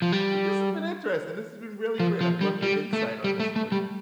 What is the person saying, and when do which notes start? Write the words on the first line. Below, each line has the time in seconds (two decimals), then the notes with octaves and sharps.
But this has been interesting, this has been really great. I've loved your insight on this one.
0.02 F3
0.12 G3
2.00 F3
2.21 F3
2.41 G3
2.62 G3
2.93 A3
3.24 G3
3.40 A3
3.56 A3
3.72 G3